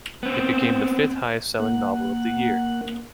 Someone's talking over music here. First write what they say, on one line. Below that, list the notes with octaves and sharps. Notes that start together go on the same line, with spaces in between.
It became the fifth-highest selling novel of the year.
B3 C4
A#3 F#5